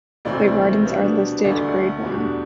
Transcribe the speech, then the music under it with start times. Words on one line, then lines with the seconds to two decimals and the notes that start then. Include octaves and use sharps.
The gardens are listed Grade One.
0.25 D2 C3 E3 A3 C4 D5
0.85 B2 G3 B3 D4
1.44 D2 D3 A3 D5
2.03 E2 B2 G3 D4